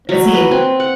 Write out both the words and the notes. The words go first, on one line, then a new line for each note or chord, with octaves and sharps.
Is he
F#3
B4
C4
F#5